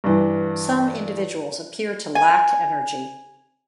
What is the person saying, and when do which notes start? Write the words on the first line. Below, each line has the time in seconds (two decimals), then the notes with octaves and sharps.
Some individuals appear to lack energy.
0.04 G2 E3
2.15 G#5